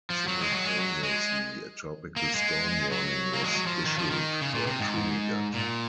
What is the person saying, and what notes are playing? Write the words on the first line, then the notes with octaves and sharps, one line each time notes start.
Simultaneously, a tropical storm warning was issued for Trinidad.
F3
F#3
G#3
F#3
G#3
F#3
G#3
A#3
G#3
F#3
A#3
G#3
F#3
F3
D#3
F3
D#3
C#3
A#2
C3
G#2
A#2